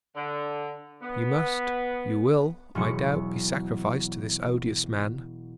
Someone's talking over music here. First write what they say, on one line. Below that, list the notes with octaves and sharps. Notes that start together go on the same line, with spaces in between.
You must, you will, I doubt, be sacrificed to this odious man.
D3
B3
E1 B2 F#3 E4 C#7